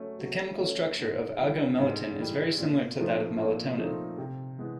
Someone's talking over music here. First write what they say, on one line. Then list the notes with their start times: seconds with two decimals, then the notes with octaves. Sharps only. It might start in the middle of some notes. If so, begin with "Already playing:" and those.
The chemical structure of agomelatine is very similar to that of melatonin.
Already playing: F#3 A3 C#4
0.19 F#3
0.60 A3 C#4
0.99 G#2
1.39 E3 G3
1.79 G#2
2.19 E3 G3
2.59 A#2
2.99 F3 A3 C4 D#4
3.39 A#2
3.78 F3 A3 C4 D#4
4.18 C3
4.58 E3 G#3 B3